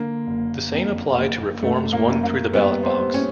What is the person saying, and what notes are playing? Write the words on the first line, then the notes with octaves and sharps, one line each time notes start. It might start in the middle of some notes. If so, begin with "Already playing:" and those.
The same applied to reforms won through the ballot box.
Already playing: D3 A#3
F#1
F2
F#1
F#2 A3
A#3
F#2
A#3
G3 B3
C4
G3
C#4